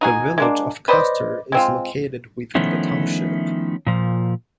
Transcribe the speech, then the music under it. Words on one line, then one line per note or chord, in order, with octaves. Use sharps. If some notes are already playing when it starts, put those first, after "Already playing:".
The village of Custer is located within the township.
D#4 F#4 G#4
G#3 A#3 D4
B4 C5 D5 D#5
G#3 C4 F4
D#3 F3 A3 B3 C#4 E4
A#2 F3